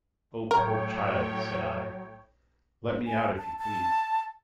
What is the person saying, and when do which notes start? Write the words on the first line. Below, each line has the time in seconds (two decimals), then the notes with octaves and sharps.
"Oh, poor child," said I; "let me out, if you please!"
0.51 A2 F#3 A#4 C#5 G5
3.07 G#5
3.38 A5
3.59 A5